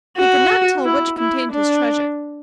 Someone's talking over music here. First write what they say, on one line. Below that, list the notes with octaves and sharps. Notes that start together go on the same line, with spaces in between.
He could not tell which contained his treasure.
F#4
E4
E4
D4